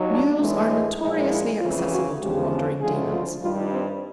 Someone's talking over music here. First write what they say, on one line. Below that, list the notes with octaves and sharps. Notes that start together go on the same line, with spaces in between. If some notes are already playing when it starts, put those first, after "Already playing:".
Mules are notoriously accessible to wandering demons.
Already playing: D#2 D#3 F#3
D4
A2 E3 G#3
A#2 F3 G#3 D#4
E4
F2 C#3 E3 F4
F#4
E2 C#3 F3 G#3 G4
D2 C#3 F3 G#3 G#4
F4
G2 D#3 G3 F4
C4